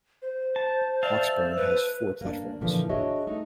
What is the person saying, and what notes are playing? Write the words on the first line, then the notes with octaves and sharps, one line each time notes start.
Hawksburn has four platforms.
C5
A5
D5 E5 F5 A5
B4
A#3 D4
A#2 D3 E3 F3
D4 F#4 G#4 C#5 D#5 E5
A3 D#4